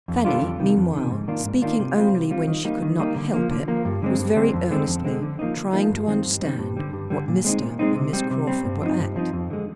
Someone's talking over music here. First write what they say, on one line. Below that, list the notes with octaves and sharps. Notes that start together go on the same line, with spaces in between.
Fanny, meanwhile, speaking only when she could not help it, was very earnestly trying to understand what Mr. and Miss Crawford were at.
F2
D3 G3 D4 F4
F2
C3 D#3
F2
C3 D#3
G#2
D#3 A#3 D4 F4
G#2
D#3 A#3 D4 F4
C3
G3 C4 F4
C3
G3 C4 F4
D#3
G3 A#3 D#4
D#3
G3 A#3 D#4
D3
F3 A#3
D3
F3 A#3
G2
D3 G#3 C4
G2
D3 G#3 C4
F2
D3 G#3 C4
F2
D3 G#3 C4
D3
F3 A#3 D#4
D3
F3 A#3 D#4
G2
D#3 G3 C4
G2
D#3 G3 C4
G2
D3 G3
G2
D3 G3
A#2
G#3 C4 D#4
A#2
G#3 C4 D#4
C3
G3 C4
C3
G3 C4
G2
F3 C4 D#4
G2
F3 C4 D#4
F2
D3 G#3